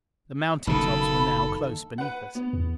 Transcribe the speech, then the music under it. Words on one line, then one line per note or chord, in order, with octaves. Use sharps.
The mountain tops were now close beneath us.
F#1 B2 D#3 A#3 A4 B5
B4 F#5
B3
E2